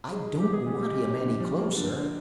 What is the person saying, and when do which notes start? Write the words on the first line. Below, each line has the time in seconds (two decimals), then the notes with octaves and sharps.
"I don't want him any closer."
0.11 D#4 G#4
0.30 F#3
0.39 G4
0.48 B3 G#4
0.65 A#2 G4
0.84 D#4
1.03 F#3
1.21 D3
1.40 F3
1.58 A#3
1.76 D3
1.95 D3